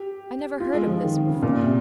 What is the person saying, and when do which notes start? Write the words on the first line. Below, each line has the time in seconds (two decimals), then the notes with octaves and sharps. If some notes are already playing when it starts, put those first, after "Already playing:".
"I never heard of this before."
Already playing: G4
0.60 F4
0.74 G#3
0.87 F3
1.02 D#3
1.16 D#3
1.29 C#3
1.42 A#2
1.63 C3